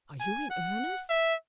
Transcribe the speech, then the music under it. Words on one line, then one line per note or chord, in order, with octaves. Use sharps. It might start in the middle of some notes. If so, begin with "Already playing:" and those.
"Are you in earnest?"
G#5
F#5
E5